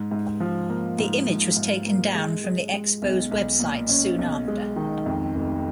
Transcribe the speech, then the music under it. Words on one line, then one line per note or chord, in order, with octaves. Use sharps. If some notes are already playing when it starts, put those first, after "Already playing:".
The image was taken down from the Expo's website soon after.
Already playing: G#2
G#2
F3
A#3
G#2
G#2
G#2
A#3
G#3
G#3
G#3
B1
B1
A#2
C#4
B1
G#3
D#3
F2
F1